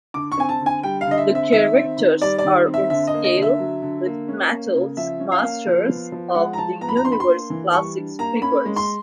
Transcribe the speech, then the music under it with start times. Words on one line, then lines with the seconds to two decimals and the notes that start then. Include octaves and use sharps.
The characters are in scale with Mattel's Masters of the Universe Classics figures.
0.14 D3 D6
0.32 C#6
0.38 C4 G#5
0.49 A5
0.61 D3
0.66 G#5
0.83 G3 G5
1.01 F5
1.07 D3 D#5
1.18 E5
1.29 C4
1.35 E5
1.52 D#3 E5
1.75 C4
1.98 D#3
2.22 G3 D5
2.38 D5
2.45 D#3
2.67 C4
2.74 E5
2.90 D3 E5
3.07 D#5
3.14 A#3
3.24 D#5
3.37 D3
3.42 E5
3.59 F#3
3.82 D3
4.05 A#3
4.28 C#4
4.51 A#3
4.74 C#3
4.97 F3 E5
5.20 C#4
5.32 F5
5.43 A#3
5.66 F3
5.89 B3
6.12 F3
6.35 G#3 F#5
6.53 A#5
6.58 F3 A5
6.81 B3 A#5
6.88 B5
6.97 A#5
7.04 D4 C6
7.12 B5
7.20 C6
7.27 A#3
7.50 E3
7.73 G3 C#6
7.96 D4
8.19 A#3 A#5
8.42 C#4 B5
8.66 G#3
8.76 C6